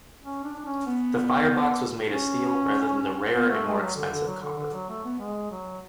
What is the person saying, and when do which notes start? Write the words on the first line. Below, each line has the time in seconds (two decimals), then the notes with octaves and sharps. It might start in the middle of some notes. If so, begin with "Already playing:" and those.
The firebox was made of steel rather than the rarer and more expensive copper.
0.23 C#4
0.44 D4
0.56 D4
0.66 C#4
0.87 B3
2.09 C#4
3.35 B3
3.50 A3
3.66 G#3
3.81 F#3
3.95 D3
4.11 D3
4.27 F#3
4.42 D3
4.58 D3
4.73 F#3
4.89 A3
5.04 B3
5.19 G#3
5.51 F#3